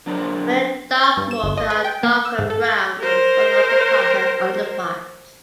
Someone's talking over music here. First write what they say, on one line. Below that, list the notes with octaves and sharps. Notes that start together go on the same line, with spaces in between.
Rare dark morphs are a darker brown on both upperparts and underparts.
D3 F#3 D4 A#4 C5
A6
G2
E7
G1
D#5
B4
G5
A#3
E6
G#2
A4
A6
A#4 C5